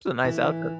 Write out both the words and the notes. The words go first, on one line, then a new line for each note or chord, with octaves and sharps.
It's a nice outfit.
E3